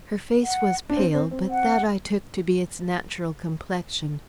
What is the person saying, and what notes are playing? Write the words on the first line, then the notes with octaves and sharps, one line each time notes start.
Her face was pale, but that I took to be its natural complexion.
F#5
D4
C4
C4
C4
F#5